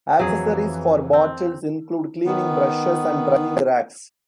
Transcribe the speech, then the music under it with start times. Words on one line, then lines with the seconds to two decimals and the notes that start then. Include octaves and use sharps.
Accessories for bottles include cleaning brushes and drying racks.
0.19 F2 E3 F#3 G#4
1.13 C4
2.26 D#3 B3